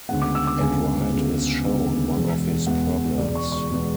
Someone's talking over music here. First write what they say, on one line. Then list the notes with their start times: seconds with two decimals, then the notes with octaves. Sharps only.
At right is shown one of his problems.
0.09 D2 C#3 G#3 B3 F#5
0.22 D6
0.35 E6
0.47 D6
0.61 D2 C#3 G#3 B3 G#5
1.11 D2 C#3 G#3 B3
1.64 D2 C#3 G#3 B3
2.16 E1 E2 B2 G#3 B3
2.66 E1 E2 B2 G#3 B3 F#5
3.18 E1 E2 B2 G#3 B3 D5
3.35 C#6
3.52 C#6
3.70 E1 E2 B2 G#3 B3